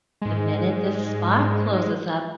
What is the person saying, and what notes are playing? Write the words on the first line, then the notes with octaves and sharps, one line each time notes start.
the minute this spot closes up,
G#2 G#3